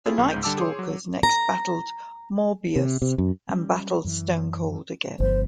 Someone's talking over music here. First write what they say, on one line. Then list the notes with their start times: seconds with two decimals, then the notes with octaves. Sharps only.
The Nightstalkers next battled Morbius, and battled Stonecold again.
0.06 C4 E4 F4 G#4 A4
0.18 B1 A#3 C#6
0.32 C#2 G#2 G6
0.43 D3 G3 A5 D6 E6
0.58 G#4 C#5 C6
0.79 F#3
1.23 A#5
2.76 C3
3.02 C3
3.18 F#2
3.49 G3 C#4
4.05 F#2 E3
5.20 G1 D2 F3 B3 C5